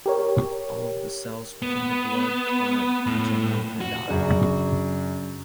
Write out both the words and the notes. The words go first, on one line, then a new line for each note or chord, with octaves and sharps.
All of the cells within the blood clot degenerate and die.
G4 A#4 C#5
B3
A2
F#4
F#2 C#3 D4